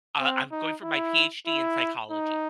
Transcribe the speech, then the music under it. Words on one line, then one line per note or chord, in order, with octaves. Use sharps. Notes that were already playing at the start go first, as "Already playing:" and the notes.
Uh, I'm going for my PhD in psychology.
C4
D#4
E4
E4
D#4